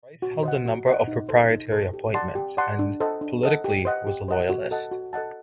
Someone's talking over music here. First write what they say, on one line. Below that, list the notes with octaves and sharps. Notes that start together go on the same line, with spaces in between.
Brice held a number of Proprietary appointments and, politically, was a Loyalist.
F#4
C5 D#5 F#5
F#4
C5 D#5 F#5
D#4
A4 C5
D#4
A4 C5
G4
D5 F#5 A5 C6
G4
D5 F#5 A5 C6
D4
A4 C5 D#5 F#5
D4
A4 C5 D#5 F#5
G4
C5 D#5 F#5
G4
C5 D#5 F#5
F#4
A4 D#5 F#5 A5
F#4
A4 D#5 F#5 A5